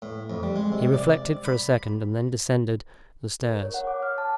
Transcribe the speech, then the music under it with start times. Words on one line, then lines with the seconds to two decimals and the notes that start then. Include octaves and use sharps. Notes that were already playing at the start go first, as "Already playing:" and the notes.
He reflected for a second and then descended the stairs.
0.02 A2
0.30 F2
0.43 G3
0.56 G#3
0.72 C3
0.94 D5
1.45 B5
3.43 A#4
3.62 C#5
3.74 F#5
3.87 D6
4.02 F6
4.18 A5